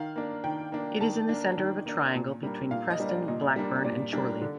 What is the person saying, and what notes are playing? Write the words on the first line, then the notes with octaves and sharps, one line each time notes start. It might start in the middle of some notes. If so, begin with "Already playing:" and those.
It is in the centre of a triangle between Preston, Blackburn, and Chorley.
Already playing: D#3 F5
A#3 D4
D#3 G5
A#3 D4
D#3 A5
A#3 D4
D#3
A#3 D4
A#2
G3 A#3 D4
A#2 F5
D#5
G3 A#3 D4
D5
A#2 D#5
G3 A#3 D4
A#2 D5
G3 A#3 D4
D3